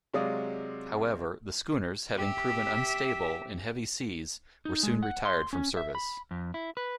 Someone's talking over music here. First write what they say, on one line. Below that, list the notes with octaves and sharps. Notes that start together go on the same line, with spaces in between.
However, the schooners, having proven unstable in heavy seas, were soon retired from service.
C3 F#3 G#3 D5 F5 D#6
G4 E5
D#4
G#3
F#5
C6
C#4
E5
B5
F2
E4
B4